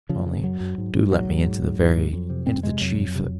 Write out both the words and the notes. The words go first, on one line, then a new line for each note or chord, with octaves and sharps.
Only do let me into the very... into the chief...
C#3 F3
C#3
F#2 F#3
F#2
G#2
G#2
G#2 F#3
G#2
G#2
G#2
G#2
G#2
F2
C3
F2 C4
C3 G#3
F2 F#3
F2
C3